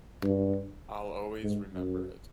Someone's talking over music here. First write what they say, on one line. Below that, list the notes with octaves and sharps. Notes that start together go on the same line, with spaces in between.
I'll always remember it.
G2
G#2
F#2